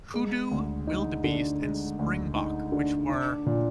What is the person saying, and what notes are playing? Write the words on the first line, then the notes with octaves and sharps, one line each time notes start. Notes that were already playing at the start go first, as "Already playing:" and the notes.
hoodoo, wildebeest, and springbok, which were,
G#3
D2
D#4
D3
G#3
D2
D#4
D3
D4
A#2